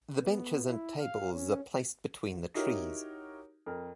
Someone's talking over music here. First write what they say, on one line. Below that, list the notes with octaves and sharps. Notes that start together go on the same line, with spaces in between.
The benches and tables are placed between the trees.
B3
E4
F5
C#4
D#4 E4 F#4 G4 A#4 C#5
F2 A#4